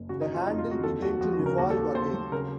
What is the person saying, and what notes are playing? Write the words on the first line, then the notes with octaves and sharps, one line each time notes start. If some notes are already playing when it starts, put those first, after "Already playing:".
The handle began to revolve again.
Already playing: F#1
C#3 F#4
D#4
C#3
F4
F2 D#4
F4
F2
F#4
D#2 A4
D#2 F#4
F3 F#4
F#4
C#3
A#4
D#2 F#4
A4
D#2
D#2 C5
F#3
C#3 A#4